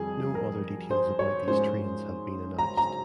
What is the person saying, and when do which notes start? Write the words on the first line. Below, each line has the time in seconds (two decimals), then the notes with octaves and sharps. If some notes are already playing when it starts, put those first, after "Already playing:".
No other details about these trains have been announced.
Already playing: F2 D#3 G3 G#4
0.35 A#4
0.91 C5
1.19 C#5
1.47 G#2 F3 G#3 C#4 C5
2.58 A#5
2.77 A#5